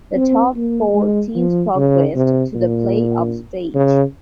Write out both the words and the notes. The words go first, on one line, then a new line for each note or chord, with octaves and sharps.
The top four teams progressed to the playoff stage.
C4
A#3
G#3
F3
C#3
C3
A#2
C#3